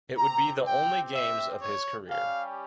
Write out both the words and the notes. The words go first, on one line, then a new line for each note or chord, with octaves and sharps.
It would be the only games of his career.
C4 G4 A#5
G5
E5
C#5
G3 C#4 G4 F5